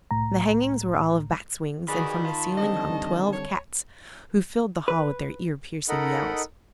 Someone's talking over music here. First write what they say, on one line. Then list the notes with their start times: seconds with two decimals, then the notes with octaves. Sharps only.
The hangings were all of bats' wings, and from the ceiling hung twelve cats, who filled the hall with their ear piercing yells.
0.11 C2 A2 A#5
1.89 D#3 F#4 G#4 B4 D5 B5
2.25 F4 A5
2.58 D3 G3 C4 D#5
3.33 C#5
4.88 B4
5.89 D#4 A4 A#4 D#5 F#5 B5